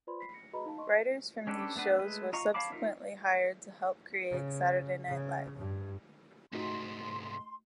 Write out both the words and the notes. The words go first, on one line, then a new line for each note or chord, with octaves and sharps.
Writers from these shows were subsequently hired to help create Saturday Night Live.
F4 B4 C5 D5 B5 C6
B5 B6 C7
A#6 C#7
F#4 G#4 B4 D#5 A#5 B5
D#4 F5 A5
D#5 C6 C#6
C#4 D4 G4 A4 B4
A3 B3 D4 B4
G#3 A3 B4
F4 D#5 A#5 C#6
C#5 F5 A5 B5 D6
D#4 F4 A#4 E5
C#3
C#3
G2
C2 G#2 A3 D#4 F#4 C6